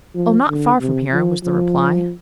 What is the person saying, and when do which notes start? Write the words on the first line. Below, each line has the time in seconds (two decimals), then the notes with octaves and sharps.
'Oh, not far from here,' was the reply.
0.15 F3
0.48 D3
0.80 C3
1.12 F3
1.44 F3